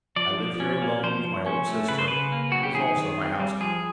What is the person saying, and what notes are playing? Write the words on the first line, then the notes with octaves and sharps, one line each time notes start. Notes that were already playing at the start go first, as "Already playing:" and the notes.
I live here alone with my old sister, who is also my housekeeper.
F3 D5
F3
C#4
A#3
F3 C5
F3
C#4
A3
C#3 B4
C5
C#3 B4
A#3
F#3 F#4
G4
D#3 G#4
D#3
C4
G3
F3 G#4